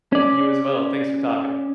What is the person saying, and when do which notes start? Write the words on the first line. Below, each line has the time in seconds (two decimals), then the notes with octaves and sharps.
You as well, thanks for talking.
0.13 C#4 D5